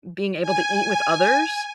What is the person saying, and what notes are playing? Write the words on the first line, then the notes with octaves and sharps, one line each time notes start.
being able to eat with others.
G#5